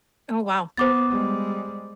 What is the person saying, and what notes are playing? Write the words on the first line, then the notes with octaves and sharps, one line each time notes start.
Oh, wow.
B3 C5 D6 A6
G3 G#3